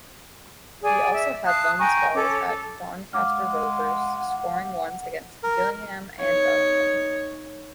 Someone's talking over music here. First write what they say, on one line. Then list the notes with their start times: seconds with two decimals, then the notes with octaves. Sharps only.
He also had loan spells at Doncaster Rovers, scoring once against Gillingham and Darlington.
0.82 G#4 D5 G#5
1.14 E5
1.46 F5 A5 D#6 F#6
1.78 G5 G#5 A#5 C#6
2.15 C#4 A4 D6
2.46 A4
3.13 G#3 F5 F#5 D6 F6
5.44 A#4
6.20 D#4 C#5